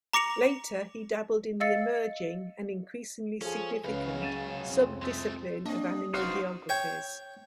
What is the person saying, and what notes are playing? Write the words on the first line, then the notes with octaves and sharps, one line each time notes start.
Later, he dabbled in the emerging, and increasingly significant, sub-discipline of animal geographies.
A#5 D6 A#6 C#7 F7
D#5 F5 E6 A6 C#7
F3 C#4 G#4 A4
C#2 F#2 C#3 G#3 C#4 B4 F5
A6 D#7 E7
C2 F2 C4
G#3 A3
A#3 C4 D4 D#5
F1 F2 G#3 B3 D#4 F#4 C5 F5
C#5 G5